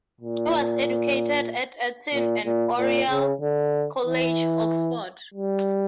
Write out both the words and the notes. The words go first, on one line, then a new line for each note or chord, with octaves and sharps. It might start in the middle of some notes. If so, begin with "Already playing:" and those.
He was educated at Eton and Oriel College, Oxford.
A#2
A#2
A#2
A#2
C#3
D3
E3
G3